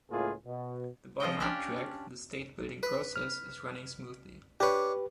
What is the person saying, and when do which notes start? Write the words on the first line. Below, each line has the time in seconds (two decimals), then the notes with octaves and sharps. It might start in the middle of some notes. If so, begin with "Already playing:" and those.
The bottom-up track — the State-building process — is running smoothly.
0.11 C#2 A2 A#3 F4 G#4
0.46 B2
1.20 F3 F4 D#5 G5
1.40 C#4 D4 G4 D5
2.83 B4
3.16 F6
4.60 D4 G4 B4 C#5